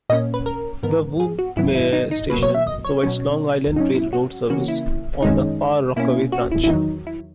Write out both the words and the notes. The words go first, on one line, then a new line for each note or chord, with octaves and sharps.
The Woodmere station provides Long Island Rail Road service on the Far Rockaway Branch.
A#2 A#3 C#4 D#5
B4
A#4
G#2 E3 B3 A#4
G#4
F#4
G#2 D#3 F#3 B3 E4
E4
D#4
D#4
B2 F#3 A#3 B4
C#5
E5
D#5
C#5
B2 F#3 C#4
G#2 F#3 C#4 D#4
E4
F#4
C#3 E3 A#3 C#4 F#4
E4
F#2 D#3 G#3 C#4 D#4
B2 A#3 C#4 E4
F#4
E4
E4
E2 D#3 F#3 D#4
E4